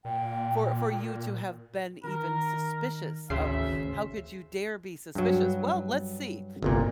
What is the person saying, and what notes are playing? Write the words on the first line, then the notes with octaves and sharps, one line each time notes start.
for for you to have been even suspicious of "How could you dare be suspicious?" "Well, let's see,
A#2 G5
D#3 A#4
G#1 D2 C#3 E5 C6 C7
G2 F#3
G1 C2 A#2